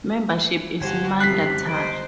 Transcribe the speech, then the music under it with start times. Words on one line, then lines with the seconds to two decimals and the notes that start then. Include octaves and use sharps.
Membership is mandatory.
0.80 G1 F#4 G4 C5 G#6
1.20 F#2 C3 F3 F#6 B6 C7
1.68 C5 D#5 D7